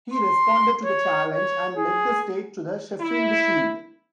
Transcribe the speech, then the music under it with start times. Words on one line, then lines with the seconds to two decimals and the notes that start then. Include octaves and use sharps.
He responded to the challenge and led the state to the Sheffield Shield.
0.14 C6
0.85 C#5
1.32 C#5
1.77 G#4
3.01 E4